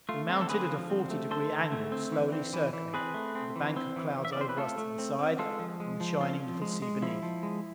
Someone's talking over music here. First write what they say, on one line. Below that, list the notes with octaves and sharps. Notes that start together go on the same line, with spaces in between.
We mounted at a forty degree angle, slowly circling, with a bank of clouds over us to the side and the shining little sea beneath.
A3 F4
C4
A4
D3 G#4 B4
F3
C4
A3
D3 A4 C5
D3
A3
C4
E3
C4
E3
E3
C4 G#4 B4
A3
C4
E3
C4
E3
E3
E5
D5
C4 C5
B4
A3 F4 A4
A3
C4
C4
G#3 F4 A4
F3
G#3
F3
C4 F4
F3
G#3
G#3
F3 E4
F3
G#3